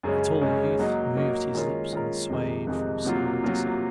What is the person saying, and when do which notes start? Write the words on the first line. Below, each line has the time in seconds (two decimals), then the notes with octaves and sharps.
The tall youth moved his lips and swayed from side to side.
0.03 F#2 C#3 G#3 C#4
0.41 F#2 C#3 G#3 C#4
0.79 F#3 A#3 D#4
1.17 F#3 A#3 D#4
1.55 D#3 G#3 C#4 F4 A#4
1.92 D#3 G#3 C#4 F4 A#4
2.30 F2 C3 D#3 G#3 D#4
2.67 F2 C3 D#3 G#3 D#4
3.05 C3 F#3 A#3 F4
3.43 C3 F#3 A#3 F4